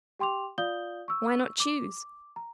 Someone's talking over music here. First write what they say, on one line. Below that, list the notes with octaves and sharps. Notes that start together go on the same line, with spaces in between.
Why not choose?
G4 G5 C6 D6 F7
F4 D5 F5 D#6 G6 G7
C#6 E6
D6
A#5